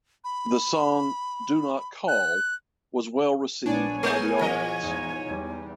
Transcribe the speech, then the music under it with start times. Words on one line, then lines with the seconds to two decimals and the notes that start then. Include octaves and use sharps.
The song "Do Not Call" was well received by the audience.
0.24 B5
2.08 F#6
3.66 A#1 A#2 B3 D4 C#5 D5 G#5
4.03 G#3 G#4 A#4
4.41 E3 F3 D#5
4.83 E2 G#3 D#4
5.28 E2 G3